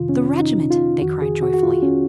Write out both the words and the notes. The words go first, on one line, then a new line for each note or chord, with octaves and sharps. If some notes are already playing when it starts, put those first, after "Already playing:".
"The regiment!" they cried joyfully.
Already playing: F2 C3 D#3 F4
C#4
D#4
F4
F2 D#3 F#4
G#4
F#4
F#4
F4
C#4